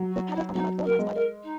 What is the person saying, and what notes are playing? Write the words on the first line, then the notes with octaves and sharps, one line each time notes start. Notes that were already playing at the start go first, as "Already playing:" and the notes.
We paddled on about four miles farther.
Already playing: F#3
F#4
E4
F#3 D#4
A#4
G#3
A#4
D#4